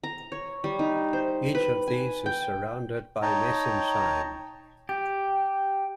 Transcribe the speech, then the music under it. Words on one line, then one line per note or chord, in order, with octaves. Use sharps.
Each of these is surrounded by mesenchyme.
A#5
C#5
G3
D#4
C5
B4
G#5
G5
D#4 C#5 G5 A5 A#5
G4